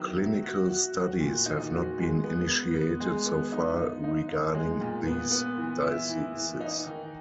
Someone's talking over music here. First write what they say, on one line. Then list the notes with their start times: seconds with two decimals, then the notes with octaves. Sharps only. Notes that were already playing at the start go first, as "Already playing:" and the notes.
Clinical studies have not been initiated so far regarding these diseases.
Already playing: D#3 F#3 B3 E4
0.17 E4
0.43 F#4
0.69 F#4
0.95 F#4
1.20 A#2
1.46 D#4
1.72 F#4
1.98 G#3
2.24 B3
2.48 B3
2.74 B3
3.00 G#3
3.26 B3
3.52 D#4
3.77 D#4
4.04 D#4
4.29 D#4
4.54 G#3
4.81 A#2
5.06 B3
5.31 B3
5.58 E3
5.83 E4
6.09 E3
6.35 E3
6.60 D#4
6.86 D#3